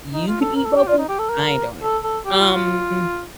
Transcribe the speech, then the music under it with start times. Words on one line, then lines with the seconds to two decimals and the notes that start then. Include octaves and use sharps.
You can eat boba, I ain't doing it." Um,
0.14 D#4
0.28 F4
0.41 A4
0.56 A#4
0.66 A4
0.77 G4
0.87 F4
0.98 D#4
1.09 G4
1.19 A4
1.29 A#4
1.83 A4
2.04 A4
2.26 G4
2.39 F4
2.54 F4